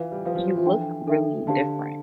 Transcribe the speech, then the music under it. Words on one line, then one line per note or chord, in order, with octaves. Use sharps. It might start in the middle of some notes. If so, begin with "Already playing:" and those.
you look really different,
Already playing: E3 F4 B4 F5
G3
F3 F4 B4 F5
F3
F3
E3
D4 A4 E5 G5
D4 A4 E5 G5
D3 G4 C5 F5 A5